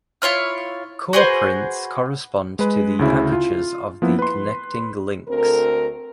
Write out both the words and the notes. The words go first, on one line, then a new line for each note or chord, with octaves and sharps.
Core-prints correspond to the apertures of the connecting links.
E4 F4 C#5 F6
F#4 G#4 B4 C5
G#3 B4
D2 C#3 E4
F4
F3 A#3 B3 E4
B4 C6
D2 C4 A4 A#4